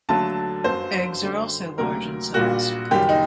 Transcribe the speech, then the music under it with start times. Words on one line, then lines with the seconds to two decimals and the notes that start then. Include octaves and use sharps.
Eggs are also large in size.
0.09 D#2 D3 F#3 A3 A5
0.64 G1 F#2 F#3 A#3 C5
1.22 F#2 D3 G3
1.78 D2 C3 F#3 A#3 A#4
2.34 A#1 A#2 G3 A#3 F#4
2.91 F#1 F#2 D#3 G3 A#3 G4
3.09 D#4